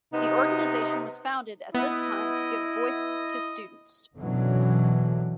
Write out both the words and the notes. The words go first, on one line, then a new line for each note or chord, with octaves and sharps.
The organisation was founded at this time to give voice to students.
C3 B3 D#4
B3 E4 D#5
F#2 B2 D3 E3 F#3